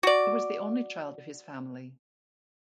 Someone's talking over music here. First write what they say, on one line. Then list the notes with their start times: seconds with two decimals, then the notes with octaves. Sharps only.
He was the only child of his family.
0.03 F#4 D5